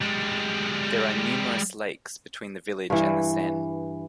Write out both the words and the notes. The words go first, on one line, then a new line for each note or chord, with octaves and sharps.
There are numerous lakes between the village and the Seine.
G3 G#3
G2 E3